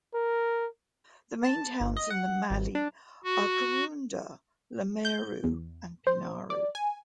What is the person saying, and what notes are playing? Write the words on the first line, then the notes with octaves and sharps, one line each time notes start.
The main towns in the mallee are Karoonda, Lameroo and Pinnaroo.
A#4
A5
G1
D#5
F#5
G#1
D4
F#4
G6
E2
C5
D5
G#5